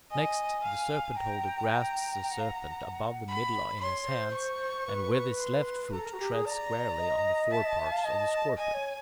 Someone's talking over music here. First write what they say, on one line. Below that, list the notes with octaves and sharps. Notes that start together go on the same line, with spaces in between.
Next, the Serpent-holder grasps the Serpent about the middle in his hands, and with his left foot treads squarely on the foreparts of the Scorpion.
D#5 G#5
F5
G5 A#5
G5
F#5
F5
F#5
B5
C#5 C6
C5
C#6
B4
C6
A4 A#5
A#4
F#4
G4
G#4
D5 A#5
D#5
E5 A5
D#5
E5
F5
D#5
D#5 G#5
C#5